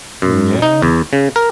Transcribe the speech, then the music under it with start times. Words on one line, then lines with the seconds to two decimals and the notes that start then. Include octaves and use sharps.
Mm, yeah.
0.22 F#2
0.62 D#4
0.82 E2
1.13 C#3
1.36 A#4